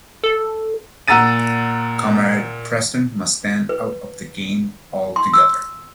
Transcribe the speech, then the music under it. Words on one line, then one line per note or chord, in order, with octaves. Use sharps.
Comrade Preston must stand out of the game altogether.
A4
A#2 F#5 A#5 E6 A6 D#7
B4
C6
E6